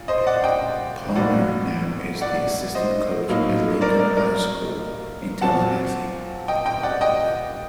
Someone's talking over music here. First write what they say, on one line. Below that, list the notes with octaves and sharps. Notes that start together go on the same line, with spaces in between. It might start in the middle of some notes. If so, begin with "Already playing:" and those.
Palmer now is the assistant coach at Lincoln High School in Tallahassee.
Already playing: A#2
C5 D#5
D5 F#5
D#5 G5
A2 F#3 A#3 D5 F#5
D5 F#5
C5 D#5
A2 F#3 A#3 D#4
A#4 D5
A#4 D5
A#4 D5
A#2 F#3 C4 F#5 A5
D#5 G5
D#5 G5
D5 F#5
D#5 G5